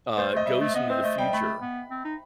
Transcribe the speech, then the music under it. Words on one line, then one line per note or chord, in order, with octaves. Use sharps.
uh, goes into the future
A3 C5
A3 D#5
G3 E5
A3
B3 D#5
C4 C5
A3 D#5
G3 G5
A3 B5
B3
C4
D#4